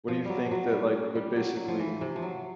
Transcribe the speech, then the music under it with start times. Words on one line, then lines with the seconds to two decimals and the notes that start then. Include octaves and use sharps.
What do you think that, like, would basically
0.08 F3
0.25 F#3 G3
0.46 F3 F#3
0.72 G3
0.94 C#4
1.15 G3
1.36 F#3
1.56 F#3
1.68 F3
1.79 E3
2.01 C3
2.16 F3
2.22 F#3